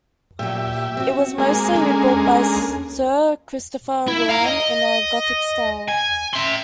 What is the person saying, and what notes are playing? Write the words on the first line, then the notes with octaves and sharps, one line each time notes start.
It was mostly rebuilt by Sir Christopher Wren in a Gothic style.
A#2 F#3 G4 E5
C4 F#4
G#3 A#3 G#4
C#4 D4 A4
E4
F5 A#5
D#5
G#5
E5 C6